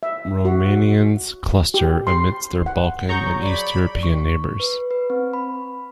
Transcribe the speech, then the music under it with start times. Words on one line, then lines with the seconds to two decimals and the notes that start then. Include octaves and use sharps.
Romanians cluster amidst their Balkan and East European neighbours.
0.03 E5
0.45 F#4
1.74 G4
2.07 C6
2.66 F#5
3.09 F#3 G#4 C#5 A#5 C#6 G6
3.41 D5 B5
4.03 C#6
4.60 B4
4.91 B4
5.10 C4
5.33 B5